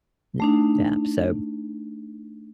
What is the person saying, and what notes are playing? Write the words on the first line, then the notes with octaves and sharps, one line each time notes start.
Y yeah. So,
A3 D4 D#4